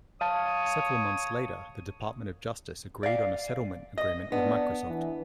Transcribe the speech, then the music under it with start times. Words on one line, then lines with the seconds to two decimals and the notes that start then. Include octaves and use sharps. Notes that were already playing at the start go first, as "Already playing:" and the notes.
Several months later the Department of Justice agreed on a settlement agreement with Microsoft.
0.21 C#5 F5 A5 D#6
3.03 D5 F5
3.98 D#5
4.32 B3 D4
4.88 E3